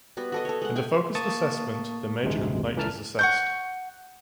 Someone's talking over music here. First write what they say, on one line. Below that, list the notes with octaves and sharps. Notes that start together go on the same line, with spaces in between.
In the focused assessment, the major complaint is assessed.
G3 B3 F#4
F#4 A4 D#5
A4 C#5
G#3 F#5
A3 G5 G#5
A#3 A5 C#6 D#6 A6
A1 D2 G2 C3 G#3
C#2 E3 A3 A#4 A5 F6
F#5 C#6 G6